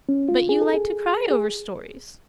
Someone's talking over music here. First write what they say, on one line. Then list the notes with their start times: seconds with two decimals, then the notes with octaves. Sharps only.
"But you like to cry over stories?"
0.09 C#4
0.29 F4
0.49 G#4
0.62 A4
0.74 G#4
1.30 G#4